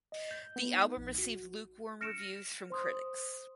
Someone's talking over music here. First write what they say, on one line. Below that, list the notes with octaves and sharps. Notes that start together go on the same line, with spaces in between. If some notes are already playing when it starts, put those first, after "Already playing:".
The album received lukewarm reviews from critics.
D#5
G6
B3
D#4
A#1
F#4
F6 A#6 C#7 D7 E7
C5 C6 D#6